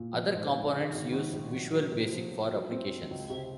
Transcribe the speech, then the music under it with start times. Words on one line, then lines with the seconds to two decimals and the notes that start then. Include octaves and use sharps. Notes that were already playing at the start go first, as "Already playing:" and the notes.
Other components use Visual Basic for Applications.
Already playing: A#2
0.13 F3
0.33 G#2
0.53 G#2
0.72 C#3
0.92 G#1
1.12 G#1
1.32 A#1
1.51 F#3
1.72 F#3
1.91 C3
2.12 F3
2.32 F3
2.51 F#3
2.71 C4
2.90 F#3
3.11 C#2
3.30 C3